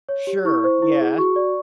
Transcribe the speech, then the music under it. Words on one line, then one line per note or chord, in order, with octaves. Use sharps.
Sure, yeah.
C#5
G4
E4 C#6
C5
E4
G#4
F#4 C#6
D5